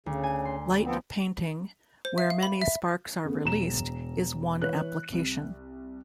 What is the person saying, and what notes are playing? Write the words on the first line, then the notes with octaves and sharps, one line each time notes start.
Light painting, where many sparks are released, is one application.
D2 C#3
G#5
C6
F3 B3 C4
C5
E5
F5
B5
E5
C#3 A3 B3
E1 A#5 E7
E3 B4 C#5 F#6
C2